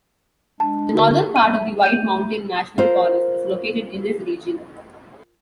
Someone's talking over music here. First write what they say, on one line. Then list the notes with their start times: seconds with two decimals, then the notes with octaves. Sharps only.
The northern part of the White Mountain National Forest is located in this region.
0.60 G#3 D4 A5
0.93 D3 D#4 F#4 A#4
1.36 E5 D#7
1.83 A3 G6 D#7
2.78 F4 A#4 C5